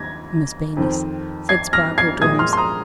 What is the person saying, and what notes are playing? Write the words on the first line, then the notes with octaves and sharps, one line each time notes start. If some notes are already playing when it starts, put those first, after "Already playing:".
"Miss Baylis," said Spargo to himself.
Already playing: D#2 G#6 A#6
F2 D#3 C4
G#6 C7
F6 A#6
G#6 C7
A#1 A#2 G#3 D#6 G#6
C6 F6
C6
A#5 D#6